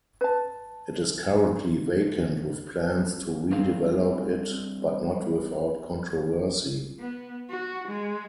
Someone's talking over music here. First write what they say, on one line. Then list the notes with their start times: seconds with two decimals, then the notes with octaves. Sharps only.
It is currently vacant with plans to redevelop it but not without controversy.
0.21 B4 A5
3.51 G2 G3 C4 G#4 F5
6.99 B3
7.50 F#4
7.88 G#3